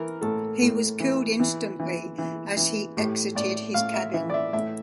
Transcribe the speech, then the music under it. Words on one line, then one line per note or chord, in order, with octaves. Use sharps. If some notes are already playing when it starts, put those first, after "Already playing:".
He was killed instantly as he exited his cabin.
Already playing: E3 A#4
A2 A4
A2
E3
E3
E3
E3
E3
A2 G4
A2 D5
A2 F5
E5
E3 E5
D5
E5
A2 E5